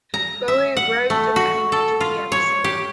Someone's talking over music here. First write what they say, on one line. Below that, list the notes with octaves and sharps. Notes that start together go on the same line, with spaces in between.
Boe wrote and animated the episode.
A#5
E5
F#5
A3
F#4
A4
F4
C#5
G4